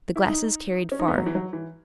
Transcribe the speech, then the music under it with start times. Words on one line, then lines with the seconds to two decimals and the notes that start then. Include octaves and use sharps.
The glasses carried far.
0.16 E4
0.28 D#4
0.92 C#4
0.99 D#4
1.08 B3
1.18 F#3
1.26 E3
1.35 F#3
1.53 E3